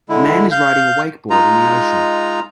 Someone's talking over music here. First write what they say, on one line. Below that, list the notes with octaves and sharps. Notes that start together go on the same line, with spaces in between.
A man is riding a wakeboard in the ocean.
D3 G#3 E4
F5 G6
G#3 D#4 F4 A#5